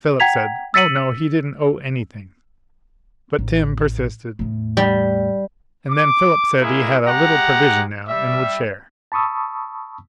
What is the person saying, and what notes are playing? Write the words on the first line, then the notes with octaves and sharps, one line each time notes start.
Philip said, Oh, no, he didn't owe anything; but Tim persisted, and then Philip said he had a little provision now, and would share.
F#5 G5 A#5 G#6 B6 F7
E6 A6 B6 C#7 D#7 F#7
A1
E2 A2
G3
D6
G#3 A#3 E4 G#4
G#3 G4 F#5 A#5
G3 E5
A5 B5 C#6 D#6 E6